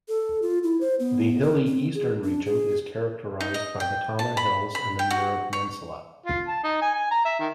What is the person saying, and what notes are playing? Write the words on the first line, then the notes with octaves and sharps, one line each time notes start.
The hilly eastern region is characterized by the Tama Hills and Miura Peninsula.
A4
F4
E4
C5
B3
A#4
C4
G#4
D4
G#4
D#4
D#5
G5
A5
B5
B5
G5
F#4
C#5
F4
A5
D#4
G#5
G#5
A#5
E5
D#3